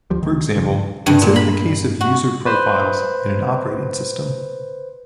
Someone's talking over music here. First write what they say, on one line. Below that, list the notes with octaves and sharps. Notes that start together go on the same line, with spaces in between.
For example, consider the case of user profiles in an operating system.
D2 F3 G3
D2 D#3
D#1 C#3 F3
G2
A#2
B5
F#4
B4 C5